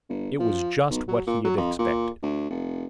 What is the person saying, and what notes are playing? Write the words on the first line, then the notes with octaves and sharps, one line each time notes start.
It was just what he had expected.
G1
F3
B1
F#3
A#2
F#3
F2
A#2
D2
F1